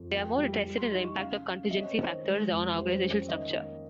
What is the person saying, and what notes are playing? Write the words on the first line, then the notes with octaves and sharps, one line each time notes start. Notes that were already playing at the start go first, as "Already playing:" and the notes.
They are more interested in the impact of contingency factors on organizational structure.
Already playing: F2
A#3 G5
G3
G3
C6
D#4 C6
C#6
C#3 F5
C#3
C4 D#5
C#5
C5
D#3 C#5
G#3
F2
G3 C5
C#4
D#3 D#5
A#3